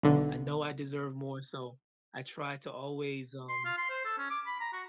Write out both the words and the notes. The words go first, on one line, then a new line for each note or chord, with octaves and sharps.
I know I deserve more, so I try to always, um
B1 D3
C6
F4
C6
C5
A4
C#4
D6
B5
A#5
F#4